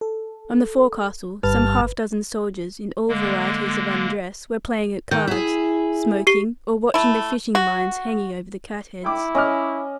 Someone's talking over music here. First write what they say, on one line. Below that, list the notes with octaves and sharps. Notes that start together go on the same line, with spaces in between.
On the forecastle, some half-dozen soldiers, in all varieties of undress, were playing at cards, smoking, or watching the fishing-lines hanging over the catheads.
A4
G1 G2 B4 A5 F6
D3 G#3 A#3
D#3 G6
E4 G#4
G4 C7 G7
A3 E4
F#4
E4 G5 D6
C#4 D#5 D6 F6